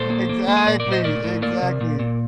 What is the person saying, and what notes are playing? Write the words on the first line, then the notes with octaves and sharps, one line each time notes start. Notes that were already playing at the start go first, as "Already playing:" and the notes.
Exactly, exactly.
Already playing: A#2 A4 C5
A#3
A#3
A#3
D#5
A#2 A#4 D5
A#4 D5
A#2
C5 D#5
A2 A#4 D5
A2
A#3 A#4 D5
C3
A#2
A#2